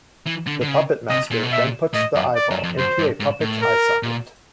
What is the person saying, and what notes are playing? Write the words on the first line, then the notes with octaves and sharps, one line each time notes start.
The Puppet Master then puts the eyeball into a puppet's eye socket.
E3
D3
D3
C#3
C3 D#5
A#2
B2
A#2 E5
A2 D#5
F#2
D5
F#2
F2
F#2 C5
G2
G#2
A2
A#4
A#2